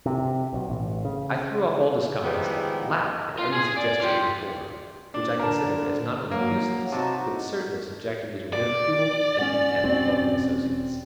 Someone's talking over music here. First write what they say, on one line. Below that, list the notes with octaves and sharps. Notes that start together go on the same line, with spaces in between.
I threw off all disguise, laughed at any suggestion of reform, which I considered as not only useless, but certain of subjecting me to ridicule and contempt among my associates.
C3
B1
A1
C#3
D#3 F3 G3 G#3 B3 E4
F4
G#4 G#5
D5
F4 G4
D4
D3 A#4 A5
F#3 A#3
C3 D#4 F#4 A5
D5
C#4 F#5
E1 C4 C#4 F#4